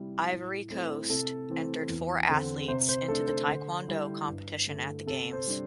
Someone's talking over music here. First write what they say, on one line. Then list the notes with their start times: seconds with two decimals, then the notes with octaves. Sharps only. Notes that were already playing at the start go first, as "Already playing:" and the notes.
Ivory Coast entered four athletes into the taekwondo competition at the Games.
Already playing: C3 G3 E4
0.31 A2
0.70 A3 C4 E4
1.10 C3 A4
1.50 E3 A3 C4
1.89 E2
2.29 D3 C4
2.68 C3 C5
2.89 C5
3.08 A3 A4
3.11 D4
3.28 C5
3.48 D3
3.88 G3 E4
4.28 G2
4.67 D3 A3
5.06 C3 A4
5.33 C5
5.47 G3 D4